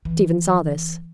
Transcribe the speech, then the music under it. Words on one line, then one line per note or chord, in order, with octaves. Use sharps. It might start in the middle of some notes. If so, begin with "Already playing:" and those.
Stephen saw this.
E3